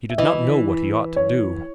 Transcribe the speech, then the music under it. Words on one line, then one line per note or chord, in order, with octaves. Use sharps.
He did not know what he ought to do.
E5
E3 D#5
C#5